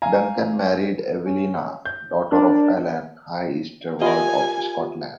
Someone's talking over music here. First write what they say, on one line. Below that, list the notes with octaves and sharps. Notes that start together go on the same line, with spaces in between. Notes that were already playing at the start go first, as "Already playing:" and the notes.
Duncan married Avelina, daughter of Alan, High Steward of Scotland.
F5 G#5 A#5
C#4
G6
D4 A#4
F4 G4 A#4 D#5 G#5